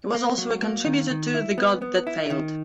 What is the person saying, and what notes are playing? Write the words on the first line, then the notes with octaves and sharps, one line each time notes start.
He was also a contributor to "The God That Failed".
A#3
F#3
A#3
D#3
D#3
E4
B3
B3
E4
D#3